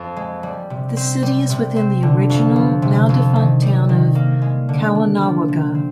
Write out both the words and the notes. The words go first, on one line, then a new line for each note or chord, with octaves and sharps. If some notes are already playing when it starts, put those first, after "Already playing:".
The city is within the original, now defunct town of Caughnawaga.
Already playing: F2
G#3
G3
C3
C4
G3
C3
C4
D3
F2
F3
C3
F2
D#3
G3
D#3
A#3
G#3
D3
D4
F3
C3
C4